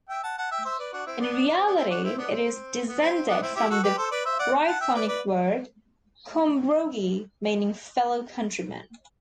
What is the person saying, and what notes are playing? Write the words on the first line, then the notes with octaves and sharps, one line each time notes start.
In reality it is descended from the Brythonic word "combrogi", meaning "fellow-countrymen".
E5 G5
F#5 A5
F#5 A5
E5 G5
C5 E5
B4 D5
D4 F#4
C4 E4
B3 D4
D4
C4
B3 D4
C4 E4
D4 F#4
C4 E4
B3 D4
C4
B3
C4
C4
B3 D4
C4 E4
E4 G4
F#4 A4
G4 B4
A4 C5
B4 D5
C5 E5
D5 F#5
F#5 A5
E5 G5
B4 D5
B4 D5